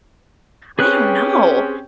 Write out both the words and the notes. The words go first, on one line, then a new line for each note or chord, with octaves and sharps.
I don't know,
C4 C#4 G4 G#4 B4 F#6